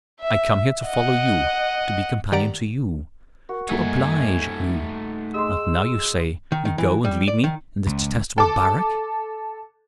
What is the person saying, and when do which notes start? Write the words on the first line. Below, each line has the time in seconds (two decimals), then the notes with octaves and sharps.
I come here to follow you--to be companion to you, to oblige you--and now you say you go and leave me in this detestable barrack.
0.20 E5
0.85 D#5 F#5
2.32 D#3 G4 D5 F#5 A#5 D7
3.49 F#4 A#4
3.69 F#2 G3 A3 A#3 D#4 A4 G#5
5.34 G#3 C6 E6
6.52 D#3
6.65 D#3
6.78 E3
7.05 G3
7.28 D5
7.44 D#3
7.86 C#2
8.38 A4 D6